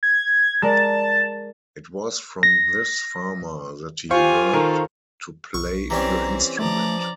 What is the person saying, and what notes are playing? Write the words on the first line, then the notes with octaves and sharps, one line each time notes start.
It was from this farmer that he learned to play the instrument.
G#6
G#3 A#4 D5 A5
A#6
F4 G4 C5 F5 G#5 C#6
D#3 A4 A#4
B1 C#6
E3 G3 C4 C#4 A#5
F3 A3 D5 A#5